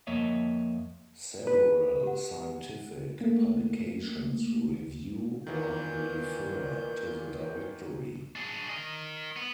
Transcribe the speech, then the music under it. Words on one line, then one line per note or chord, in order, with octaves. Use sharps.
Several scientific publications review or refer to the directory.
F2 A#3 C#5 D#5 E5
B4
G4 F#5
A3 A#3
A#2 D#3 E3 G6
D4 G#4
A#4 D#5
B3